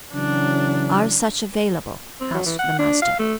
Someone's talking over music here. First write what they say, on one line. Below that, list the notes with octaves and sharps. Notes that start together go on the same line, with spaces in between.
"Are such available?" asked the Master.
C#3 E3 F#3 D4
C4
F#3
E3
F#5
D4
F5
A3